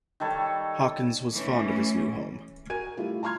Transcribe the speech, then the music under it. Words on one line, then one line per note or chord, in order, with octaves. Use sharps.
Hawkins was fond of his new home.
D#3 G3 A4 C#5
E3 A3 C#4
F#4 A#4 G#5 G#6 D#7
G3 A3 E4 F4
A5 A#5 C6 F6 G#6